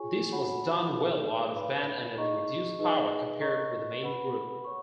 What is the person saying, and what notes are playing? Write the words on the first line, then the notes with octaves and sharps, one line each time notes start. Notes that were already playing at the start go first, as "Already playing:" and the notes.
This was done well out-of-band and at reduced power compared with the main group.
Already playing: F4 G#4 C#5 G#5 C#6
F#4 C#5 F#5 B5
D#4 G#4 B4 F5
B4 F5 B5
D#4 G#4 D#5 A#5 C#6
D#4 G#4 B4 D#5
A#4 D#5 A#5 C#6
B4 F#5 B5
C#5 F#5 C#6